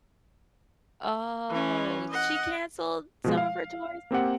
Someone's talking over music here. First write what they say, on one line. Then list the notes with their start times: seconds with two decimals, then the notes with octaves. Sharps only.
Oh, she canceled some of her tours?
1.50 E3 C#4
2.10 D#5 F#5
3.24 B2 F3 G#3
3.37 F5
4.11 A#3 C4 G4 F#5